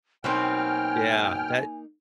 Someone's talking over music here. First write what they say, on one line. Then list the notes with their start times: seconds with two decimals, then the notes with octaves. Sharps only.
Yeah. That
0.24 B2 F#3 A#3 C4 D#4 G5 G#5 F6